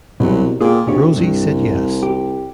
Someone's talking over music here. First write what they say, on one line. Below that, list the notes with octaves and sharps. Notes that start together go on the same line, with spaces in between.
Rosie said yes.
C2 B2 F#3
A#2 G#4 G5
D2 B2 G4 C#5
C2 G2
G4